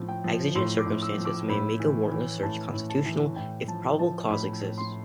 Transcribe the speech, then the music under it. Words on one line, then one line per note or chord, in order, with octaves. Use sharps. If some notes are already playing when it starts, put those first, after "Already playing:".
Exigent circumstances may make a warrantless search constitutional if probable cause exists.
Already playing: A2 F3
G5
F3
A2 C6
D6
A2
E6
F3
D6
A2 B5
E3
E3
A2 A5
A2
A5
E3
A2 G5
F3 A5
F3 A5
A2 B5
A2
C6